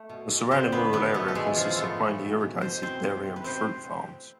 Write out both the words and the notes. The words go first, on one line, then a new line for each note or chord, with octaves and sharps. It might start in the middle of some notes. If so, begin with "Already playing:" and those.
The surrounding rural area consists of mainly irrigated dairy and fruit farms.
Already playing: A3
B2
B2
D3 C4 C5
D3 B3 B4
B2 B3 B4
B2 A3 A4
A4
A2 G#3 G#4
A2 F3 F4
A3 B3 A4
E3
B2
B2
B2 C5
B2 C4 C5
C3
C3
B4
B2 C4 C5